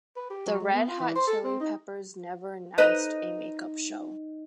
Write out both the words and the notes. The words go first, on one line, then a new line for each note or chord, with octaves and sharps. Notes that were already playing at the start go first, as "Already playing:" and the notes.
The Red Hot Chili Peppers never announced a make up show.
B4
G4
F#3
G#3
B3
F4
E3
C5
A4
C4
D#4
D#4 B4 D#5